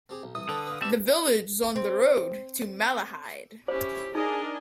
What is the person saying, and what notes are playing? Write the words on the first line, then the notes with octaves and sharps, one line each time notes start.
The village is on the road to Malahide.
C4 G4 G#4
B1
C2 E3 E5 D#6
D3 A4 B4 G5
B4 F5
G3 C4 D4 G4 B4 E5
C4
C#4 E4 G4 C5
D4 D#4 G#4 A#4 D#5 G#5